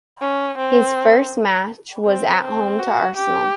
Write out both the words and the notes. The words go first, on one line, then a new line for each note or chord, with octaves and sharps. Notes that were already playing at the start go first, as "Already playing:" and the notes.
His first match was at home to Arsenal.
C#4
C4
C4
C4
F#4
G4